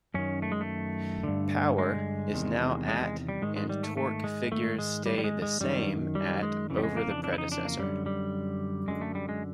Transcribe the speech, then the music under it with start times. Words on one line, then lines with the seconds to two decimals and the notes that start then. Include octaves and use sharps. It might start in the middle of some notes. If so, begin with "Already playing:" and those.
Power is now at and torque figures stay the same at over the predecessor.
0.14 F#2 D#3 C#4
0.42 A3
0.52 G#3
0.61 A3
1.23 G2 D3
1.78 G#3
2.33 E2 C3 D#3
2.88 G#3
3.01 G#3
3.29 G3
3.42 G#2 D#3 G#3
3.56 G#3
3.69 G3
3.83 A3
3.97 A3
4.24 G#3
4.51 G#2 D#3 A3
4.79 G#3
5.06 G3
5.18 G3
5.24 G#3
5.42 G#3
5.60 F#2 D#3 G3
6.15 G3
6.43 G#3
6.70 F2 C#3 E3
6.78 G3
6.83 G#3
6.97 A#3
7.11 D4
7.24 D4
7.33 E4
7.38 D#4
7.52 D4
7.65 A#3
7.79 F#2 D3 G3
8.06 G3
8.88 F#2 D3 G#3
9.01 A3
9.15 G3
9.29 G#3